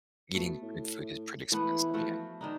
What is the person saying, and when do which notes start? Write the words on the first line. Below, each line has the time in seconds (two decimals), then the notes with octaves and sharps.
Eating good food is pretty expensive, yeah.
0.34 B2 A3
0.62 A2
1.52 E3 A3 B3
1.94 F3 A3 F#4
2.41 D#3 D4 D#4